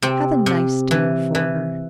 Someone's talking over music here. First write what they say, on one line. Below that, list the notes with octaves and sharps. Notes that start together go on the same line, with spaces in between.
Have a nice dinner for her.
C3 C4
C3
E3
E3